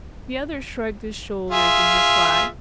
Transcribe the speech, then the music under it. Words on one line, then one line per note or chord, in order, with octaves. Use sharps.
The other shrugged his shoulders in reply.
F4 G#4 E5